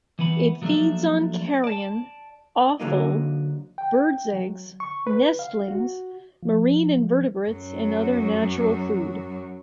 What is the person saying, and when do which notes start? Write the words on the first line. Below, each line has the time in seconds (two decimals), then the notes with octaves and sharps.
It feeds on carrion, offal, bird eggs, nestlings, marine invertebrates and other natural food.
0.19 E3 B3 B5
0.62 F3 F#3 A3 A#3 D4 E5
1.64 D5 A5
2.80 D3 F#3 A#3 D#4
3.78 G5
4.33 F#3
4.80 C#6
5.07 B4
5.39 F5
5.68 F#4
6.42 F3
6.98 F3
7.47 F#2 F#3